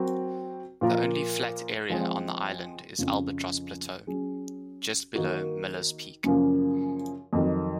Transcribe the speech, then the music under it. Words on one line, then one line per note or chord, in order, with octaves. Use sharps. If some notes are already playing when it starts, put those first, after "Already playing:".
The only flat area on the island is Albatross Plateau, just below Miller's Peak.
Already playing: F#3 C4 F#4 A#4
A#2 F3 A#3 F4 A#4
F3 G#3 C4
F2 C#3 F3
F#3 C#4 G#4
D#3 A#3 D#4 F#4
F#2 C#3 F3 A#3
F2 D#3 F#3